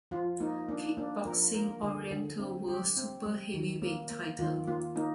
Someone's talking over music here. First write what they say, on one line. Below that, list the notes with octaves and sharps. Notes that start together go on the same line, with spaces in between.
Kickboxing Oriental World Super Heavyweight title.
F3 F4
A#3 D#4
A#3 D4
A#3 D4
F3 A#4
A#3 A#4
D3 G#4
D3
C4
G3 G4
C4
G3
D#3
A#3
A#3
D#3 F4
A#3 F4
A#3 D#4